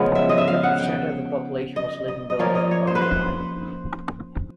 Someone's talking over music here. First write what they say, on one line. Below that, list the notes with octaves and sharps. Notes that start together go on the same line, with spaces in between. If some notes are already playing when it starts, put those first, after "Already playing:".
Three percent of the population was living below the poverty line.
Already playing: C#3 F3 G#3 B3
E5
D#5
E5
F5
F#5
G5
D#5
D#5
D#5
F3 A#3 C#4 D5
D#5
C#5
C5
B4
C5